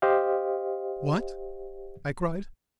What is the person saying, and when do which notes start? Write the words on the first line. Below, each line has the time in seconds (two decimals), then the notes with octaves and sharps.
"What!" I cried.
0.02 G4 C5 D#5 F5